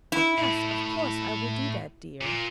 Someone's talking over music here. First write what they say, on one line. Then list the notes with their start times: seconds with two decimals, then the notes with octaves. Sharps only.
'Yes, of course; I will do that, dear.
0.12 E4
0.38 A2
2.21 A#2